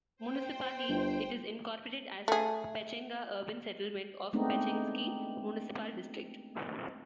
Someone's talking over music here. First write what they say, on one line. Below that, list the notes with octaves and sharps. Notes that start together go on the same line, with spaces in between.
Municipally, it is incorporated as Pechenga Urban Settlement of Pechengsky Municipal District.
C5 G5
G1
A3 G#4
G#3 A3 B3 C4 D4 D#4